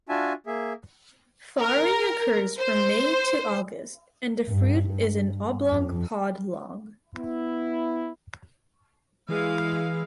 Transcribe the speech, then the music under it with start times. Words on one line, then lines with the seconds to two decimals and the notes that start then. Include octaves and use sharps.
Flowering occurs from May to August and the fruit is an oblong pod long.
0.09 D4 F4 F#4 E5 G#5 A5
0.47 A#3 G#4 E5
1.60 A#4
2.59 C5
4.49 G2
4.86 G2
5.72 F2
7.16 B3 E4
9.29 E3 G#3 E4 F5